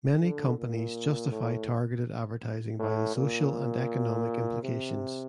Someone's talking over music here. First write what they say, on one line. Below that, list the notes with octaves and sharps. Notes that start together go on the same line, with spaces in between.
Many companies justify targeted advertising by the social and economic implications.
D3
A#2
A2
A2
A#2
C3